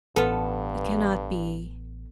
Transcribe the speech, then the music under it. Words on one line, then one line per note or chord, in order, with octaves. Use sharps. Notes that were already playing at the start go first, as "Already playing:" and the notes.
It cannot be.
A1 G2 B3 F4 A4